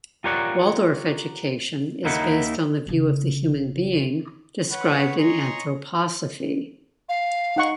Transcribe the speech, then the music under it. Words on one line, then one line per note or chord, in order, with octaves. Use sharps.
Waldorf education is based on the view of the human being described in anthroposophy.
F4 G4 A#4 C#5 D5 F#5
D#2 A#3 D#4 E4 F#5
F1 C#3
B4 C#5 F#5
C#5 D#5 G#5 A#5 C6 C#6
F5
D#4 F#5 C#6